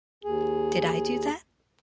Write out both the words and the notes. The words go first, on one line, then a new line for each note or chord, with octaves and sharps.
Did I do that?
D#2 G#4